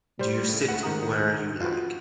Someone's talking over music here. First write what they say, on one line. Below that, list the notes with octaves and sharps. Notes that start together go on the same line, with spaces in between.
Do you sit where you like.
G3 C5
A2 C#3
C#2 A3 B4 F#5
G#2 D#3 F#5 A#5 D#6
F4 F#4 B4